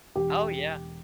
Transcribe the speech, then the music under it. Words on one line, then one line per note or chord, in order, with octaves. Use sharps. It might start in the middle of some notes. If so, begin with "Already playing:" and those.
Oh, yeah.
E1 G4